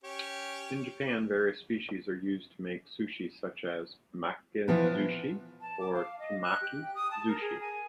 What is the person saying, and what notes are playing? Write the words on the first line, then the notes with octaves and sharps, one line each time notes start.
In Japan, various species are used to make sushi such as "maki-zushi" or "temaki-zushi".
C#4 G4 C#5
E3 F3 B3 B4
A5
D6
F5
D#5
F#6
G4
G5
D#6
A5
A#4
G#4
G#5